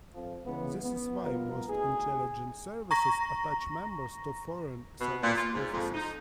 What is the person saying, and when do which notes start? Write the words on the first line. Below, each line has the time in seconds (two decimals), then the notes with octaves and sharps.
This is why most intelligence services attach members to foreign service offices.
0.14 F2 F3
0.45 C#3 E3 G#3 B3
0.84 B3
1.23 A#1 G2 B3 F4 A#4
1.69 D2 D#4 G#4
2.91 A#5 C#6 A#6
5.01 B2
5.23 A#2
5.38 F4
5.53 G#2
5.73 F2
5.94 D#4